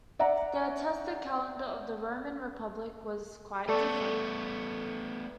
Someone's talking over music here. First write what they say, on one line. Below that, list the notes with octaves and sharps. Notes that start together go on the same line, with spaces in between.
The attested calendar of the Roman Republic was quite different.
D5 E5 F#5 A#5
A3 B3 A4 D5 C#6